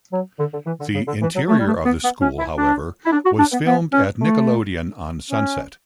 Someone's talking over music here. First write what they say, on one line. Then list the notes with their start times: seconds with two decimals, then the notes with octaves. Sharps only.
The interior of the school, however, was filmed at Nickelodeon on Sunset.
0.12 F#3
0.39 D3
0.52 D3
0.66 E3
0.80 D3
0.94 C#3
1.07 D3
1.21 E3
1.35 F#3
1.48 A3
1.59 G3
1.67 A3
1.85 B3
2.03 B3
2.21 C#4
2.39 E4
2.57 D4
3.05 E4
3.12 D4
3.25 F#4
3.39 D4
3.52 B3
3.66 B3
3.93 C#4
4.21 A3
5.30 C#4